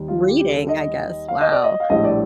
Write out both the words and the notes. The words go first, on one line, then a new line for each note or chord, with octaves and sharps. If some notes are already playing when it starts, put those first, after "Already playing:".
reading, I guess, wow
Already playing: D#2 D#3 G3
F4
G4
G4
A4
D#5
F5
D#5
D5
D#5
F5
A#1 A2 G3 D#5
D5